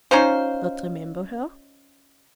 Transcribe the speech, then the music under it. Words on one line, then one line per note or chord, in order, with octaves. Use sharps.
Not remember her?
C#4 D#4 F4 C5